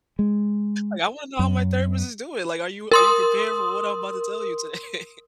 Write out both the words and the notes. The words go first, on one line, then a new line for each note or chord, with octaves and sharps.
Like, I wanna know how my therapist is doing. Like, "Are you are you prepared for what I'm about to tell you today?"
G#3
F#2
A#4 C6 D#6